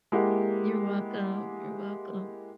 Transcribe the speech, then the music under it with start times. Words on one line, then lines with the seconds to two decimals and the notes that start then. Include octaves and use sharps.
You're welcome. You're welcome.
0.12 G#3 A#3 E4 G4 F#5